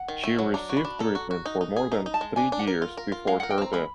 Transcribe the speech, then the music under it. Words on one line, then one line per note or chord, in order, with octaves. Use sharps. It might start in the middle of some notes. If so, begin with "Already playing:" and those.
She received treatment for more than three years before her death.
Already playing: F#5
D#3
A3
F#3
D4 A#5
F#4
B5
D4
A4 A#5
F#4
F#4
D#4
D#4
G#4
D#4 A#5
D#4
A5
G#3
D4 G#5
D4
F#5
A#4
F4
A#4
F4
G#3 F5
A#4 F#5
G5
C4 A#5
G#3 B5